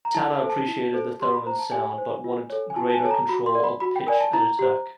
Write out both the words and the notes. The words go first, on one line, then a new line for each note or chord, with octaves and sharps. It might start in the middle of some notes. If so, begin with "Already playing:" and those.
Tanner appreciated the theremin's sound, but wanted greater control of pitch and attack.
A#5
E4 A5
A5
A4 C5
A5
E4
A4 C5
G4 C6
B5
C5 A#5
A5
G4 G#5
C5
F4
A4 C#5
G#5
F4 A5
A5
G#5
A4 C#5 A5
A#5
F#4 B5
C6
A#4 D5
B5
F#4 B5
G5
A#4 D5 G#5
A5
E4 A#5
G4 C5